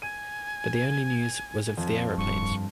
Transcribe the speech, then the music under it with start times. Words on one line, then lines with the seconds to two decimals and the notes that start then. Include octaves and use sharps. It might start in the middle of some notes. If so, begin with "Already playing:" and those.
But the only news was of the aeroplanes.
0.02 G#5 D#7
1.78 F2
2.18 D#1 G2 C#6